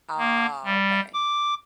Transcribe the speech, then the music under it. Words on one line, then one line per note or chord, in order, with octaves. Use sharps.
Ah, okay.
A#3
G3
D6